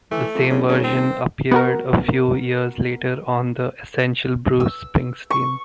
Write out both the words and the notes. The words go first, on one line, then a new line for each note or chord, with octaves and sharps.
The same version appeared a few years later on "The Essential Bruce Springsteen".
E3 A3
F2
F#1 C#3
D#1 C#3
C4
B3 F#4 A#4
E6
C#6